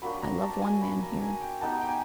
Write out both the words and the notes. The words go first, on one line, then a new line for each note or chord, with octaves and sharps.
I love one man here.
F#3 A#3 D4 G4 B5
A#5
A5
A5
G#5
B5
A#5
G#5
G5
B3 D#4 G4 A5
G5
G#5